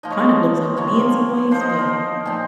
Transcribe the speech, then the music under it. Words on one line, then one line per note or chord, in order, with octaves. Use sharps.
kind of looks up to me in some ways, but
F3 A#3 D#4 D#5
C#5
D#5
C3 F3 A#3 C#5
F3 A#3 D#4 C5
D#5
C5
A#4
C5
A#2 F3 C4 D#4